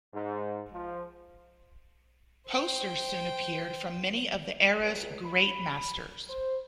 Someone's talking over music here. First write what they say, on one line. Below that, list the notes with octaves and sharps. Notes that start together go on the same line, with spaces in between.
Posters soon appeared from many of the era's great masters.
G#2
F3
C5 G5
C#2
B5
C5